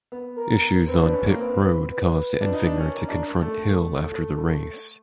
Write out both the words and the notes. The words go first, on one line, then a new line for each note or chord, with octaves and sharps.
Issues on pit road caused Enfinger to confront Hill after the race.
B3
A#4
C4 B4
D4
C#4
A#3
C4 B4
B4
D4
D#4
D4
C#4
A#4
D4
A3 A4
A4